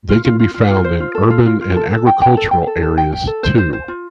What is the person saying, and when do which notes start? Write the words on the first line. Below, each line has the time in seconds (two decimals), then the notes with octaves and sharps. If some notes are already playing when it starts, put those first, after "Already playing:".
They can be found in urban and agricultural areas, too.
0.09 F4
0.25 F4
0.39 F4
0.54 F4
0.70 F4
0.84 C5
1.00 F4
1.15 A4
1.30 F4
1.46 F4
1.61 F4
1.76 A4
1.91 A4
2.07 G5
2.22 G5
2.37 A4
2.51 G5
2.67 A4
2.83 A4
2.98 G5
3.13 G5
3.27 A4
3.43 C5
3.58 C5
3.73 C5
3.88 F4